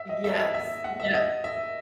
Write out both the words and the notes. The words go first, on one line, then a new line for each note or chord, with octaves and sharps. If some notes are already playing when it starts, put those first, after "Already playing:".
Yes, yeah.
Already playing: E5
D#5
E5
D#5
E5
F#5
E5
D#5
E5